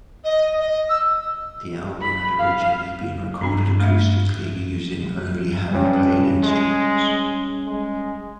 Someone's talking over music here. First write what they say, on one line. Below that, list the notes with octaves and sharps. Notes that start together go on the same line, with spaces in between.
The album had originally been recorded acoustically using only hand-played instruments.
D#5
D#5
E6
B5
F5
G2 C4 D4
A3 E5
G2 G3 C#4
G#3
G#3